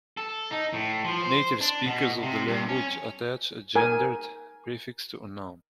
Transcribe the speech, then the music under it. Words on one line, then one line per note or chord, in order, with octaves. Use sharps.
Native speakers of the language attach a gendered prefix to a noun.
A4
D#4
A2
F3
C5
D4
B2
C3
G2
C#4
A#4 G#5